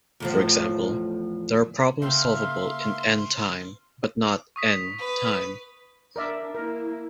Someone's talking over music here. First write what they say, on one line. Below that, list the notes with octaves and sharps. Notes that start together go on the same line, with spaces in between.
For example, there are problems solvable in "n" time but not "n" time.
E2 A2 F3
C#3 A#3 E5 F5 G5 C6 F6
C#6 D#6 B6
B4
D4 A#4 D5 E5
A#3 E4 A#4